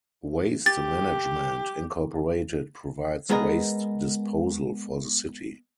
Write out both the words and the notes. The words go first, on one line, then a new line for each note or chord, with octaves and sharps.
Waste Management Incorporated provides waste disposal for the city.
G4 A6
G#3 B3 G#4 A#4 B4 D#5